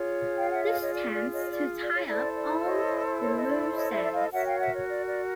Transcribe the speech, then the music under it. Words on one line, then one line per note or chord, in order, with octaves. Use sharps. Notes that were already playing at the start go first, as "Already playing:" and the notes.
This tends to tie up all the loose ends.
Already playing: F4 G#4 C#5
F5 G5
E5 F#5
D#5 F5
C#5 D#5
D5
D5
C#5 D#5
C#5
D5
D5
C#5
E4 A4 C5 D5
D5
C#5 D#5
C#5
D#5
D5
D5
C#5 D#5
D5 E5
E5
D#5 F5
F#4 A#4 C#5 E5 F#5
F5 G5
E5 F#5
C#5
D5
D5